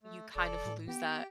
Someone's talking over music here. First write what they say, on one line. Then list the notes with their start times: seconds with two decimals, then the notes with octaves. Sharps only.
you kind of lose that
0.03 A3
0.36 F1 A4 D5
0.66 A2
0.88 B3 G4